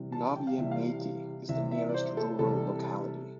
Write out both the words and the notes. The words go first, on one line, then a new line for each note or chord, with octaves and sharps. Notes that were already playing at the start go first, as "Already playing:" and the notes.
Novye Maty is the nearest rural locality.
Already playing: C3 E3 G3
A5
G5
F5
C3 E3 G3 E5
F5
C3 E3 G3 E5
E5
D5
C5
A4
C3 E3 G3 A4